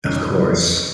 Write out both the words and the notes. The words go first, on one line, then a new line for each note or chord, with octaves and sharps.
Of course.
F2 C#4 D#4
C#3 F#3 A#3
F2